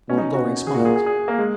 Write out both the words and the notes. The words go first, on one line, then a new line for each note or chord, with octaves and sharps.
Lord Loring smiled.
B2 C#4
D#4
F#4
A#2
G#4
A#2 F#4
G#4
G#4
G#4
A#3
G#3